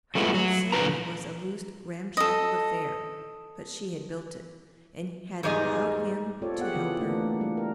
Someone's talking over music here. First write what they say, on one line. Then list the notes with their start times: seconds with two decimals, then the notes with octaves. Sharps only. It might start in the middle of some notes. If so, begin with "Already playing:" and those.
Her nest certainly was a loose ramshackle affair; but she had built it, and had allowed him to help her.
0.15 F#3 A3 B3 E4 F4
0.34 F#3
0.72 A#2 D3 F#3 F4 B4 A#5
2.17 A4 D#5
5.43 E2 G#2 G3 D#4 G#4 D#5
6.42 C4 F4 G4 A4 C#5 D5
6.59 B3 G4 G#4 F#5
6.75 C#3 E3 F4 B4
6.99 A3 A#3 D4 F4
7.41 G3
7.57 A#4